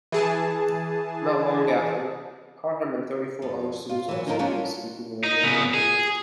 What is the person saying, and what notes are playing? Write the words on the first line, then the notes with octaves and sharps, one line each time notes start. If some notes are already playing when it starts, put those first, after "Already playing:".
Not long after, Parham and thirty-four other students also began speaking in unknown languages.
E3 G#4 A5
F2
F4
E3 F#3
D3 F3 D#4 F4 G#4 A#4
G3 G#3 C#4 D4 F4 F#4
D#4
C#3 B3
G#4